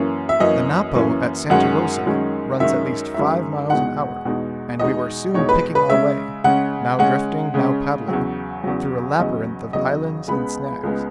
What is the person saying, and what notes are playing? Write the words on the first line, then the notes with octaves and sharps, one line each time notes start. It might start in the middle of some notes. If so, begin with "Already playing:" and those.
The Napo at Santa Rosa runs at least five miles an hour, and we were soon picking our way--now drifting, now paddling--through a labyrinth of islands and snags.
Already playing: F#2 E3 A#3 C#4
E5
F#2 E3 A#3 C#4 D#5
F#2 E3 A#3 C#4
F#2 D#3 G#3 C#4 F#5
F#2 D#3 G#3 C#4
F#2 D#3 G#3 C#4 E5
F#2 D#3 G#3 C#4 E5
E2 B2 G#3 D#4 F#5
E2 B2 G#3 D#4
E2 B2 G#3 D#4 D#5
E2 B2 G#3 D#4 C#5
B4
B4
C#3 G#3 C#4 E5
C#3 G#3 C#4 F#5
C#3 G#3 C#4 F#5
C#3 G#3 C#4
E2 C#3 F#3
E2 C#3 F#3
E2 C#3 F#3 D#5
E2 C#3 F#3 D#5
C#2 C#3 G#3 B3 B5
C#2 C#3 G#3 B3